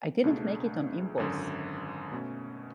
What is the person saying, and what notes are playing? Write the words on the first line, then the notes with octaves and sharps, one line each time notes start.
I didn't make it on impulse.
C#2 B2 A3 D4 G#4
G#1 F#2 D3
B2 A3 C#4